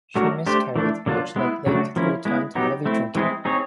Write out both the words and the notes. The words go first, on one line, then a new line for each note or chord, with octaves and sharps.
She miscarried, which led Lake to return to heavy drinking.
F#3 A3 D4 F#4 A#4
A3 D4 G4 C5
E3 A3 D4
D3 F#3 A#3 D4 F4
G#3 B3 E4
C#3 F#3 A3 D4 F#4
F3 A#3 C#4 E4
G#3 B3 E4
F#3 B3 D#4 G4
A3 C4 E4
E3 G#3 C4 E4 G#4
C4 D#4 G#4 C#5